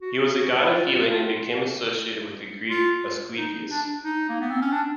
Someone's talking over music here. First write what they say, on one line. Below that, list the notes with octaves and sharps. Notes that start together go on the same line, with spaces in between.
He was a god of healing, and became associated with the Greek Asclepius.
F#4
F#4
E4
F4
F4
D#4
D4
D#4
A#3
B3
C4
C#4
D4